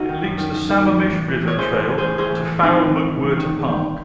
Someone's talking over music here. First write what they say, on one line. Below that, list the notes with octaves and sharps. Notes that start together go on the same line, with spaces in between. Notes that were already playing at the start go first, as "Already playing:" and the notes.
It links the Sammamish River Trail to Farrel-McWhirter Park.
Already playing: D#4 F#4
D#3
F#2
D#3
F#2
D#3
F#2
E3
A2
E3
A2 C#5
E3 G#4 C5
A2
E3
G#4 C5
A2
E3 G#4 C5
A2
E3
A2 C4 D#4
E3
A2
E3
A2
D#3
E2
D#3